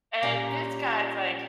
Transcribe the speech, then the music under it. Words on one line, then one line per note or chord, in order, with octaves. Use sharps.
and this guy's, like,
A#2 G3 C#4 A#5